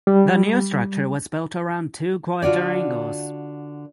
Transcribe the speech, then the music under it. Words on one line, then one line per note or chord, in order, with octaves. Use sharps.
The new structure was built around two quadrangles.
G3
D3 F4 F#4 D5